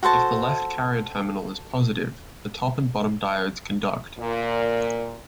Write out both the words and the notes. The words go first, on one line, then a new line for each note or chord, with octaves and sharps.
If the left carrier terminal is positive, the top and bottom diodes conduct.
F#4 A4 C5 A5
A#2